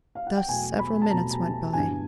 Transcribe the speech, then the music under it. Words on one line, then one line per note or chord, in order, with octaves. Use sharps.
Thus several minutes went by.
F5
F#5
G5
E2 B2 F#3 A3 G#5
B5
A5
E2 B2 F#3 A3 A#5
A#5
A5
G2 D3 F#3 B3 E4 G#5